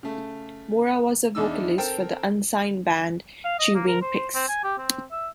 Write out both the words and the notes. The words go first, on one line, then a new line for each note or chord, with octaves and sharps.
Mora was the vocalist for the unsigned band Chewing Pics.
C#3 A3
E2 D4 D#4 E6
C4 A4 A#4 G5 A5
F5
D#5
A#3
A#4
C5
C4
G#5
G4
C4
E5